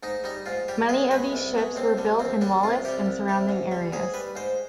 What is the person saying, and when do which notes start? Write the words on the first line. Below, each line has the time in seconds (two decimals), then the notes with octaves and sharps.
Many of these ships were built in Wallace and surrounding areas.
0.03 G#2 D#4
0.24 G3 D#4
0.46 G#2 F4
0.68 G3 G4
0.89 C2 G#4
1.11 B2 G#3 B4
1.32 C2
1.55 B2 G#3
1.76 D#2 C4
1.97 D3 G3
2.19 D#2 C4
2.41 D3 G3 D4
2.63 C2 F4
2.84 C3 G3 G4
3.06 C2
3.28 C3 G3
3.49 G#2
3.71 G3
3.93 G#2 G#4
4.14 G3 B4
4.36 G#2 C5